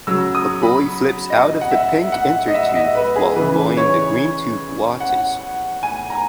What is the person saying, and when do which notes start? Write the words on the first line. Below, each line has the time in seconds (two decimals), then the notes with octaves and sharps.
A boy flips out of the pink intertube while a boy in the green tube watches.
0.07 C#3 F#3 E6
0.35 D#6
0.63 B5
1.30 D#5
1.61 F#5
1.71 E5
2.12 F#5
2.48 D#5
2.54 E5
2.75 D#5
2.95 B4
3.16 G#4
3.36 C#3 E3 B4
3.77 C#5
5.00 F#5
5.83 G#5
6.10 A#5